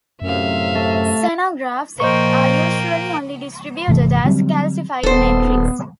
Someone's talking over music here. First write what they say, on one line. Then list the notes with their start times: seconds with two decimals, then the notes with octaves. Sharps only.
Xenografts are usually only distributed as a calcified matrix.
0.22 F#2 A2 C3 E5 F5
0.76 A3
2.00 A#2 F3 A#3 C5 D#5 G5 C#6
3.88 G1 C3 E3 A3
4.24 D3 F#3 G3 C4
5.03 D#1 B3 A4 C5